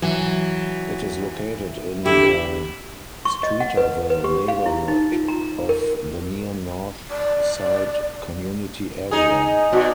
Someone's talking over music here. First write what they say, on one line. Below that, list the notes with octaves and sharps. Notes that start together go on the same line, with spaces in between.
It is located in the Streeterville neighborhood of the Near North Side community area.
E3 F#3
D3 E4 G4
C#6
D#5
F#5
B4
B4
G4
F5
E4
D#4
F4
A#5
A#4
D5
D#4 G#4
B2 F#4 D5